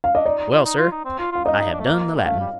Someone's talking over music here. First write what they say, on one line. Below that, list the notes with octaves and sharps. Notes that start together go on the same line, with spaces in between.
"Well, sir, I have done the Latin."
F5
D4 D#5
D#4 D5
D#4
F4
D#4
F4
D#4
C4
F4
F4 F5
D#4 D#5
D#4
D4
A3
A#3
G3
A3 F5
G3